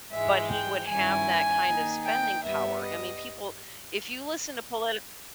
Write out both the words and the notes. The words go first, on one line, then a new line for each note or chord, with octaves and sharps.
but he would have that kind of spending power, I mean, people if you listen to politic
G#2 E3 G#3 E5
G5
G2 D#3 G3 C#4 E4 G#5
D#3 A#3 D#4
G5
G2 G3 B3 E5
D#5